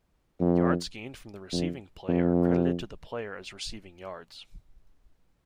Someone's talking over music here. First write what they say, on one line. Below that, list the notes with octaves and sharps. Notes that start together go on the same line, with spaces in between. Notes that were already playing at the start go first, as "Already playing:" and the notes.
Yards gained from the receiving play are credited to the player as receiving yards.
F2
F2
F2